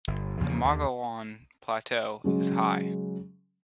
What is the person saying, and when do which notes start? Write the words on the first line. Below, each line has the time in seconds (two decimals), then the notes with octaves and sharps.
The Mogollon Plateau is high.
0.08 G1
0.40 E2 C#3 F3 A#3
0.65 D#2
2.24 C#3 F#3 G#3